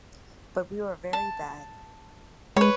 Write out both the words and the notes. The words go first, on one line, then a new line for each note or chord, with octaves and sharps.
But we were very bad.
A5
G#3 B4 C#5